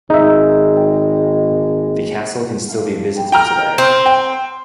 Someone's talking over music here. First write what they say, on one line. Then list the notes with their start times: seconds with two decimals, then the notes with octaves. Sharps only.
The castle can still be visited today.
0.10 G#1 G#3 D#4 E5
3.32 G5 A#5 F6
3.78 C4
4.06 G5